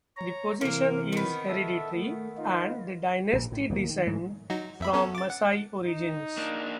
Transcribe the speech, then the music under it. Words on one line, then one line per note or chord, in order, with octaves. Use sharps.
The position is hereditary, and the dynasty descend from Maasai origins.
C#5 A#5
C3 E3 A#3 C4 A#4
D#3 B3
A4 E5
A3
D#4 F4
A#1 A#2
A2
D#2 B2 E3 A#3
D#3
G#2 F#3 A3
F#3 D#4 F#4
F2 E5 B5
B3 C#4 A4
D6 A6
F#5
D#4
A#3 D4